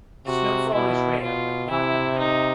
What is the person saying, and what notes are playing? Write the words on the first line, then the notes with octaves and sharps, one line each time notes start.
Snowfall is rare but not unheard of.
C3 F#4
B2 E4
B2 F4
C3 E4
D#4